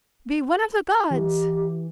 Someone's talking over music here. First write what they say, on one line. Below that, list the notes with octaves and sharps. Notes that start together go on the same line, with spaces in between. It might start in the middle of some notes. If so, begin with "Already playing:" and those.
Be one of the gods.
E3 G4